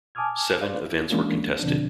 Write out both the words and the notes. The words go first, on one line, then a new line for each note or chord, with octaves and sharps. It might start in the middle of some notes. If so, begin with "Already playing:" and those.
Seven events were contested.
G#5 A5 D6 D#6 F6 G#6
B4 C5 D5 F5
E4
E3 G#3 A#3 C#4 D4 F4
E2 B2 D3 F3 C4 D4